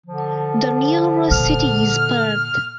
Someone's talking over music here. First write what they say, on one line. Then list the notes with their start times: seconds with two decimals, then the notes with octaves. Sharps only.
The nearest city is Perth.
0.06 D3 F3
1.31 A#2 F6